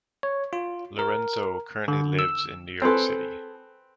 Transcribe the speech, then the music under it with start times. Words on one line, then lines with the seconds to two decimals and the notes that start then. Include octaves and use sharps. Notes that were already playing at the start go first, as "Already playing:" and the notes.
Lorenzo currently lives in New York City.
0.23 C#5
0.53 F4
0.99 A#4
1.88 D3
2.19 E6
2.82 C4 G#4 A4 B4 C6